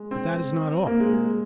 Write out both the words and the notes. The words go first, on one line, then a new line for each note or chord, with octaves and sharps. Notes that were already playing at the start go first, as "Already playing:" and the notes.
But that is not all.
Already playing: G#3
C4
A#3
G#3
G#3